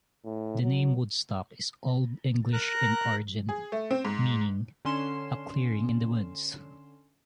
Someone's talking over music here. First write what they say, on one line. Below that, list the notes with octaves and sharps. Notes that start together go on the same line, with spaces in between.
The name Woodstock is Old English in origin, meaning a "clearing in the woods".
A2
F#3
A#4 A#5 F#6
G#4
A3
C4
G#2
D3 C#4 C6 E7